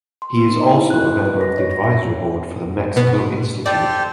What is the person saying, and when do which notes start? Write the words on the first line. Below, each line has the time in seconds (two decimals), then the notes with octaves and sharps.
He is also a member of the advisory board for the Mexico Institute.
0.22 C6
0.37 B3
0.49 D#4
0.60 D#5
0.74 E4
0.90 F#6
1.10 D#5
1.25 B4
1.41 A#6
1.58 C#5
1.71 A#6
1.84 E5
2.96 B2 B3
3.66 G4 A4 C5 D5